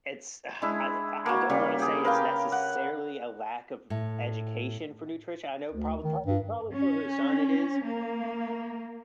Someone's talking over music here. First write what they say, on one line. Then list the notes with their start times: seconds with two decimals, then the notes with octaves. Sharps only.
it's, ugh I I I don't wanna say it's necessarily a lack of education for nutrition. I know proba probably probably, for her son it is,
0.62 G#3 D4 E4
1.26 A#3 F#4
1.49 C#3 G3 A#3
1.79 G4 G#4
2.05 A#4 B4 F5 G5
2.52 F#5
3.90 A2
5.72 D2
6.04 D#3
6.26 G2
6.72 C#4
7.84 A#3